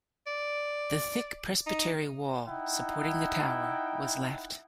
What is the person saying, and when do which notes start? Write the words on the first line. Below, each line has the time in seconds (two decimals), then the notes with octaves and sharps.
The thick Presbytery wall supporting the tower was left.
0.27 D5
1.67 D#4
2.47 D#4 E4 F#5 G5